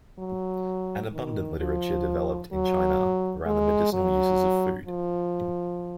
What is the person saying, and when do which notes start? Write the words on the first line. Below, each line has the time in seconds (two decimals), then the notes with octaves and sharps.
An abundant literature developed in China around the medicinal uses of food.
0.19 F#3
1.12 D#3
1.60 F3
2.53 F#3
3.46 G#3
3.93 F#3
4.87 F3